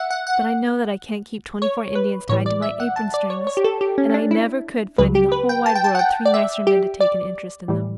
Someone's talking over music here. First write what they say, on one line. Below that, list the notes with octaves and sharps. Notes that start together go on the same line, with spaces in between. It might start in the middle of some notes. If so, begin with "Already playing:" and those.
But I know that I can't keep twenty-four Indians tied to my apron strings, and I never could find in the whole wide world three nicer men to take an interest in them.
Already playing: E5 F#5
F#5
F#5
C#5
B4
A2 E3 G3 C#5
D5
E5
F#5
A5
D5
C#5
C#5
G4
A4
G4
C#4
C#4
D4
E4
C#2 C#3 F#3 B4
G4
B4
G5
A5
G5
A5
F#5
G5
D5
E5
G4
D5
A2 E3 G3